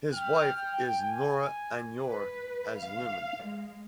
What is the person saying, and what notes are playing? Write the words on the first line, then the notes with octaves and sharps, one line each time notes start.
His wife is Nora Aunor as Lumen.
G5 F6
G#5
B4
F5
G#3